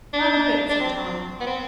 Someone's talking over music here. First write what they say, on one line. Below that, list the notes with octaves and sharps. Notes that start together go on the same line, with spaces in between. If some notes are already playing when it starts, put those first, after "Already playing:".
"Not a bit," said Tom.
D4
D4
C4
B3
C4